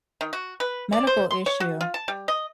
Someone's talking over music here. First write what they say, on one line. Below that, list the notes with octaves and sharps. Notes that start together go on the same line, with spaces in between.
medical issue.
D#3
F#4
B4
D5
C5
C6
C#5
F#4
F4
A5
G3
D#5